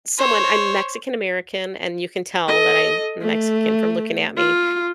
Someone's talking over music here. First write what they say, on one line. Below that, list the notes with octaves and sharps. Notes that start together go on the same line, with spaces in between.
someone I'm Mexican American, and you can tell that I'm Mexican from looking at me,
C5 C#5
A4 D#5
A3
F4